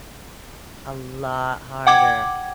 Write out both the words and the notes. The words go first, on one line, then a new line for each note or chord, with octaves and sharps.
A lot harder.
F#5 G5 D6 G#6